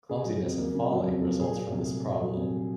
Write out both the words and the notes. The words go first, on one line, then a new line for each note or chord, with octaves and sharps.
Clumsiness and falling results from this problem.
C#3 G#4
F#3
F2
A#3
C#3
F#3
F2
A#3
A#2 G#4
F#3
C2
A3
A#2
F#3
C2
A3